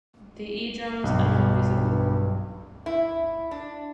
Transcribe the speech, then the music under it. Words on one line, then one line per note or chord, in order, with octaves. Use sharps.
The eardrums are not visible.
B1 G2
E4
D4